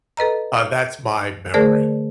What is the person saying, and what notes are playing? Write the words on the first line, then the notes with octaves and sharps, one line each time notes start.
uh, that's my memory.
A4 B4 D#5 A#5
D3 A3 G#4 A#4 C5 D5